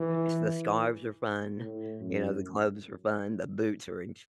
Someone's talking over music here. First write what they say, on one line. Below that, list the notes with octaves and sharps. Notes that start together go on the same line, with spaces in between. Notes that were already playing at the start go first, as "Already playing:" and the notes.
It's the scarves are fun. You know, the gloves are fun. The boots are in sh
Already playing: E3
A2
F#2